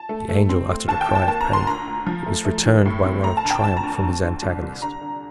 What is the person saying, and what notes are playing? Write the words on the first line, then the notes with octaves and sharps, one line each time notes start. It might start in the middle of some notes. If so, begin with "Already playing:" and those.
The Angel uttered a cry of pain; it was returned by one of triumph from his antagonist.
Already playing: A5
A3
A3
C4
A3
D#2 A5
G5
D#2
A5
A#3 A5
A#5
D2
C6
D2 A#5
D2
F3
A3
A3
D#3
A2
C4
A3 A#5
A5
D2
G5
D2 A5
A#5
D2
A5
C4
D3
C2
C2
D3 A#5
D3